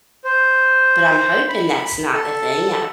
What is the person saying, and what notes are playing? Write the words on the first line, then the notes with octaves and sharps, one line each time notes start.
but I'm hoping that's not the thing, I
C5
B5
A4